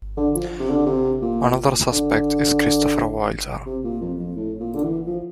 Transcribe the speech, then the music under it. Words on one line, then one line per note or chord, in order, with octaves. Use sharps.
Another suspect is Christopher Wilder.
D3
F3
C3
D3
C3
A#2
D3
C3
A#2
F2
F2
A2
A#2
D3
E3
F3